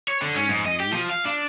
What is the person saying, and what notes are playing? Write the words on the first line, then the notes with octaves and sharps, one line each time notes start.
do you
C#5
D3
C#4
G#2
D#5
G4
F3
F5
D4